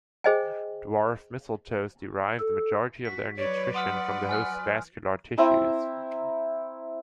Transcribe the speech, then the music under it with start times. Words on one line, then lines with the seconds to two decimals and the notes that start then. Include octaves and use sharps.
Dwarf mistletoes derive the majority of their nutrition from the host's vascular tissues.
0.24 G#4 C5 D#5 G5 G#5
2.40 A4
3.05 F#4 B6
3.38 F#3 B4 C#5 D5
3.74 F#5 C6 D#6 F6
4.29 G#5 F6 F#6
5.38 C4 E4 E5 A#5